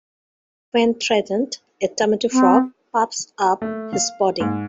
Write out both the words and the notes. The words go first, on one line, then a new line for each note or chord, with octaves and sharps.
When threatened, a tomato frog puffs up its body.
C4
A3
F5
G#2